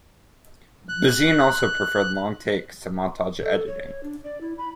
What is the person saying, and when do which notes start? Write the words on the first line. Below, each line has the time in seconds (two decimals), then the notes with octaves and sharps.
Bazin also preferred long takes to montage editing.
0.89 F#6
3.41 A4
3.67 C#5
3.87 C#5
4.03 D4
4.24 D5
4.41 E4
4.58 B5